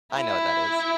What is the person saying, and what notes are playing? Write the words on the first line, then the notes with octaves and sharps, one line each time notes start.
I know what that is.
E4